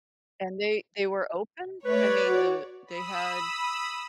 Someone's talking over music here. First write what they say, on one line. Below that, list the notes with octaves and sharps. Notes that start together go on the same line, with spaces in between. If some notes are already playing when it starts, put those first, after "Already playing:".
and they they were open, I mean, the they had,
A3 B4 C#5 D5
F#4
B5 D#6 E6